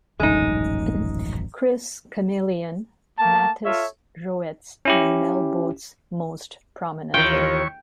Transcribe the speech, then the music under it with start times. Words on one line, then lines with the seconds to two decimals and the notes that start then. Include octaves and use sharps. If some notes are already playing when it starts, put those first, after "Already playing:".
Chris Chameleon, Mathys Roets and Mel Botes most prominently.
0.20 D#1 A1 F#2 G#3 D#4
3.19 A3 A#3 A5
3.65 F4 A4 C#5 E5
4.85 C#4 E4 G4
7.14 D#2 D#3 E3 F4 C#5 G5 C#6